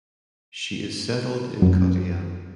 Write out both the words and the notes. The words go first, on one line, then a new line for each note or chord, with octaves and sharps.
She is settled in Kottayam.
F#2